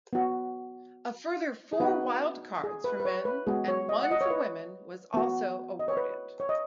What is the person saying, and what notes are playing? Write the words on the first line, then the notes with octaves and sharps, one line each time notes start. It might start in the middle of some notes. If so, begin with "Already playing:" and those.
A further four wildcards for men and one for women was also awarded.
B3 F#4
G#4
B3 D#4 F#4 B4
G#4
B4
B4
C#5
B4
G#3 B3 F#4 G#4
C#5
D#5
F#5
D#5
C#5
B4
B3 F#4
D#5
C#5
B4
C#5
D#5